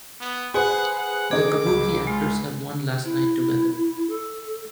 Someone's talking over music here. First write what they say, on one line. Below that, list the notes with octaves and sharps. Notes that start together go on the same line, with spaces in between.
The kabuki actors have one last night together.
B3
G#4 B4 C5 F#5 G#5
F#5
C4 D#4 G#4 D6
C#2
G#3 F4
E4
A4